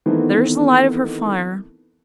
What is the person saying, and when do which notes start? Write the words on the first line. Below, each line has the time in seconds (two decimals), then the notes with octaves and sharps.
'There's the light of her fire.'
0.06 D#3 E3 A3 B3 C4